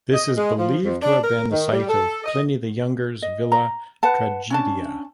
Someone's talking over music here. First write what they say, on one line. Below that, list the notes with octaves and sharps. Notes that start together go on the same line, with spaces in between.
This is believed to have been the site of Pliny the Younger's villa "Tragedia".
D#5
G#3
F3
F2
D4
A#4
D#3
G3
A4
D#5
D#5
A#5
B4 F#5 A5
C#4 D4 A5